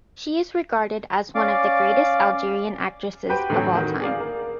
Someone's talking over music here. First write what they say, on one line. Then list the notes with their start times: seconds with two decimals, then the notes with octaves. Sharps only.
She is regarded as one of the greatest Algerian actresses of all time.
1.35 C#4 D5 F5 D6
3.29 F#4 G4 B4 C5 G5
3.50 A2 D3 E3 F#3 A3 C4
3.71 D#3 F#4
4.01 G#4 D5 F5
4.20 A#3